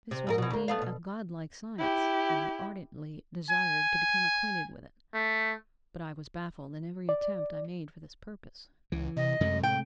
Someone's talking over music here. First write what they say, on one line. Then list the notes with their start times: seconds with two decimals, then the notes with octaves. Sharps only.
This was indeed a godlike science, and I ardently desired to become acquainted with it. But I was baffled in every attempt I made for this purpose.
0.11 C3
0.27 G#2 E4 A#4
0.38 B2 E3
0.50 D2 A#3
0.68 A3 B3 F5
0.82 B2
1.78 E4 G4
3.50 G#5
5.14 A3
7.09 D5
8.92 C#2 E3
9.17 C3 D#5
9.41 F#2 C3 G#3 A3
9.63 A2 G5